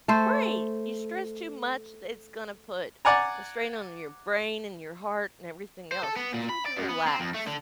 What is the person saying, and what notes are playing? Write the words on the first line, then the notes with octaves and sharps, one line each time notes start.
right! You stress too much, it's gonna put a strain on your brain, and your heart, and everything else, you just need to relax.
A3 A4 C5
D5 F#5 G#5 A#5
C5
A4
B3
A#2
B5
D5
F#2
B3
C4
F2
A3
D3